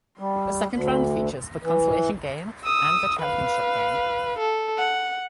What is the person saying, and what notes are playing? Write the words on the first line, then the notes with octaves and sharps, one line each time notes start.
The second round features the consolation game and the championship game.
G3
D2
E3
D#6 E6
B4 F5
A4
F#5